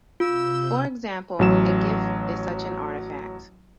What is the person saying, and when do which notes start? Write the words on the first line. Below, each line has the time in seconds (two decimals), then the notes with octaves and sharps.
For example, a gif is such an artifact.
0.20 C3 F4 E6 G6
1.39 A1 F#3 E7